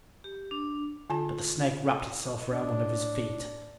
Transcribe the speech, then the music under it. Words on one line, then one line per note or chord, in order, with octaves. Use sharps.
But the snake wrapped itself around one of his feet.
G4
D4
D3 F4 A5
A2 D4